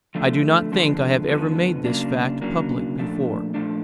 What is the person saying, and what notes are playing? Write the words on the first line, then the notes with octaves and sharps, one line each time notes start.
I do not think I have ever made this fact public before.
D3 F3 A3 D4
F2 D3 F3 G#3 B3
F2 D3 F3 G#3 B3
C#3 F#3 A#3 D4
C#3 F#3 A#3 D4
A#2 F3 A3 D4
A#2 F3 A3 D4